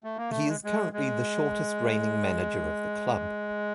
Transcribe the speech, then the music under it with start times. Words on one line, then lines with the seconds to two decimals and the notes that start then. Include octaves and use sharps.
He is currently the shortest-reigning manager of the club.
0.04 A3
0.17 A#3
0.30 A3
0.48 G#3
0.64 G#3
0.93 G#3